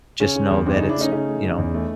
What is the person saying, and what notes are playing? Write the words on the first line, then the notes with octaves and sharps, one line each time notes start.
just know that it's," you know,
C#3 C#4
C#3
E2
C#3 C4 D4
C#4 D#4
C#3
D4 E4
A3 C#4 D#4
C#3 C#4 D#4
A3
C#3
E2
A3